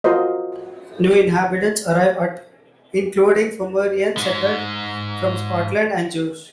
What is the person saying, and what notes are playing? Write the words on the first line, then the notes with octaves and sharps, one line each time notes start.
New inhabitants arrived, including Pomeranians, settlers from Scotland, and Jews.
F4 F#4 A#4 C5 D#5
G#2 G#3